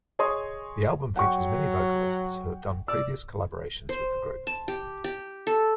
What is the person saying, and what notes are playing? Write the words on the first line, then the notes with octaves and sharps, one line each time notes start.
The album features many vocalists who have done previous collaborations with the group.
G#4 C#5 D#5 G#5 C6 D#6
F#3 F#5 G5 C#6
D5 E6
C5
A5
G4
G4
A4